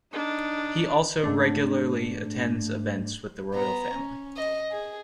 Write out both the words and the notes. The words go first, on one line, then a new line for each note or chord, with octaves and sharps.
He also regularly attends events with the Royal Family.
D4 D#4
G#2 A3 D4
B3 A#5
C#4
D#5
G#4